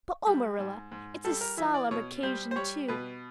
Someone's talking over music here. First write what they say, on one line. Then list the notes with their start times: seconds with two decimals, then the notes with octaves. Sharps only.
But oh, Marilla, it's a solemn occasion too.
0.27 G3
0.59 G#2
0.92 G#2
1.25 G3 A4
1.41 A#4
1.57 E3 E5
1.74 D5
1.91 B2 C#5
2.23 G3 C5
2.51 C5
2.56 G3 C#5
2.88 B2 B4